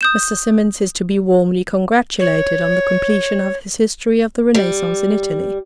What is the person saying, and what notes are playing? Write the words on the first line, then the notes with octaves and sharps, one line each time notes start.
Mr. Symonds is to be warmly congratulated on the completion of his history of the Renaissance in Italy.
D#6 G6 E7
C#5
G3